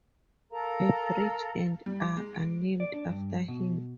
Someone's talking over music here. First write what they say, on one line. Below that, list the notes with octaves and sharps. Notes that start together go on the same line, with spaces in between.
A bridge and a are named after him.
A4 A#4 F5 A#5
G3
D6
G#3
D7
D5
D4
G2
B2